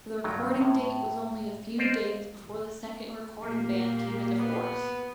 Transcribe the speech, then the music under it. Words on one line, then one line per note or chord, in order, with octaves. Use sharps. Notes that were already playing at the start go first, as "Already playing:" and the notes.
The recording date was only a few days before the second recording ban came into force.
G2 D#3 F#3
A2
C5 D5 D#5 F5
A#2 A#3 G4
B3